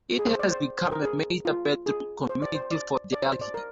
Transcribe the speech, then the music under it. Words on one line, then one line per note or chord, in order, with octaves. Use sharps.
It has become a major bedroom community for Delhi.
G#4
C5
D5
C5
C5
A#4
G#4
F4
G#4
C5
D5
C5
D5
D5
C5
D5
A#4